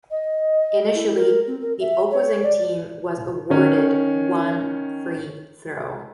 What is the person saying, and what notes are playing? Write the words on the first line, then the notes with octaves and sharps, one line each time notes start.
Initially, the opposing team was awarded one free throw.
D#5
E4
A#4
C4
A#4
E5
C#5
D5
D#3 C#4